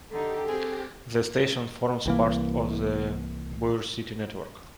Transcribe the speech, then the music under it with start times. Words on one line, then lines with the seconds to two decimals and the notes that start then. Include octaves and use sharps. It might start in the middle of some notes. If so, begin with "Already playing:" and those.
The station forms part of the Bauer City network.
0.11 D3 D#4 G4 A4
0.48 C4 G#4
2.06 C2 E3 A#3